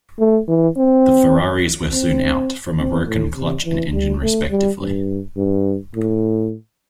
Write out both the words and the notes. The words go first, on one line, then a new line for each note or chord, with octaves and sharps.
The Ferraris were soon out, from a broken clutch and engine respectively.
A3
E3
C4
C4
C4
A2
C3
E3
G3
A3
G3
G2
G2
A2